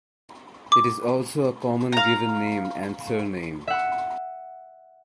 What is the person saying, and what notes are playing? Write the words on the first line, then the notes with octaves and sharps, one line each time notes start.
It is also a common given name and surname.
D6
F5 A#5
E5 F#5